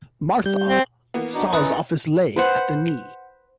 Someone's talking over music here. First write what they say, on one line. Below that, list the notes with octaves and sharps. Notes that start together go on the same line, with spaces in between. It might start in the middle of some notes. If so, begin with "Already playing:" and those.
Martha saws off his leg at the knee.
G3 G6
C4
E3 A#3 B3
D4 D#4 F#4 D5
A#1 C#4 E4 B4 D#6 F#6
B4 C5 F#5